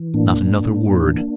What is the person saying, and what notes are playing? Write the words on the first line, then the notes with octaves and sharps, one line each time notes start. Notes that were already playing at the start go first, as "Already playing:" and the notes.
Not another word.
Already playing: E3
A2 A#3 D4
A2
A2
E3